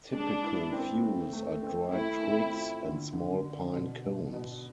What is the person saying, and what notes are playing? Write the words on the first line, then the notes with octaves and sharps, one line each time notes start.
Typical fuels are dry twigs and small pine cones.
G#3 D4
E4
C4
A3
A3
C4
A3 E4
C4
F4
D3
D3
D4
B2
B2
B2